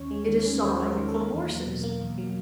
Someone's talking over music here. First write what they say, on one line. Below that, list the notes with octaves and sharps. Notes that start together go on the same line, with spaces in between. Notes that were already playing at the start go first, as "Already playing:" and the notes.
It is sorrow for horses.
Already playing: D#2 C#4 C#5
G#3
D#3
C#4
D#2 C#5
C5
G#3
A#4
D#3
A4
A#3 A#4
E2
F#3
B2
A#3
E2
F#3